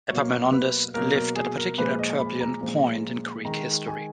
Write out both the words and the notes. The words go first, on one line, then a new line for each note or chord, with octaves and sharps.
Epaminondas lived at a particularly turbulent point in Greek history.
B2 F#3 A#3 C#5
B4
B2 F#3 A#3 A#4
A#4
G#4
A#4
A#2 F3 G#3 B4
D#5
B5
A#5
A#2 F3 G#3
D#3 G#3 A#5
G#5